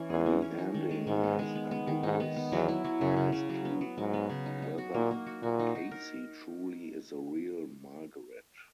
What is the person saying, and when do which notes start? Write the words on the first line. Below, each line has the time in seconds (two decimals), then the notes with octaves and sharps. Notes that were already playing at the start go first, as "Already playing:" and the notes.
The ending is ambiguous as to whether Casey truly is the real Margaret.
Already playing: E3 C#4
0.10 E2 G#4
0.26 E3
0.42 C#4
0.58 D#4
0.74 D#3
0.91 G#3
1.07 G#2 D#3
1.23 B3
1.39 G#3
1.55 B3
1.71 B3
1.87 D#3
2.03 G#2 D#4
2.20 B3
2.36 B3
2.52 E2 F#3
2.68 E4
2.84 F#3
3.00 F#2 C#3
3.17 C#3
3.32 C#3
3.49 F#3
3.65 B3
3.81 F#3
3.98 G#2 F#3
4.13 B3
4.30 C#3
4.46 D#4
4.62 D#4
4.78 F#4
4.94 A#2 A#3
5.11 A#3
5.27 F#4
5.42 A#2 F#4
5.59 D#4
5.75 D#4
5.91 A#4